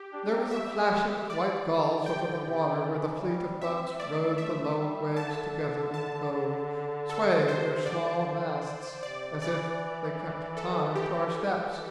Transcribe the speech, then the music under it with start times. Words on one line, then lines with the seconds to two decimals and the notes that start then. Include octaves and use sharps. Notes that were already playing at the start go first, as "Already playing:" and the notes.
There was a flashing of white gulls over the water where the fleet of boats rode the low waves together in the cove, swaying their small masts as if they kept time to our steps.
Already playing: G4
0.13 D4
0.25 D4
0.33 C4
0.51 A3 E5
0.65 G3
0.71 A3
0.90 D3
1.10 E3
1.30 G3 D5
1.49 E3
1.68 D3
1.78 E3
1.87 D3
2.06 C3 G5
2.26 D3
2.45 C3
2.64 D3
2.83 E3
3.22 G3
3.61 C4 E5
3.91 C4
4.00 A3 D5
4.38 A3 E5
4.77 G3
5.16 D3 A5
5.94 A5
7.10 A4
7.48 C3 C5
7.86 D3 D5
9.02 C3 D5
9.41 E3 D5
10.57 A4
10.95 G4
11.35 E3
11.47 G3
11.59 E3
11.73 E3